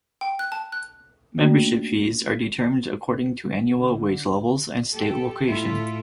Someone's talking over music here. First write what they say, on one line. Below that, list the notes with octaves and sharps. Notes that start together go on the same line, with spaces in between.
Membership fees are determined according to annual wage levels and state location.
G5
F#6
A5
F#6
A3 A#3 C#4 D4 F#4 D5
D3
G4 A4
A2 E4 F4 A4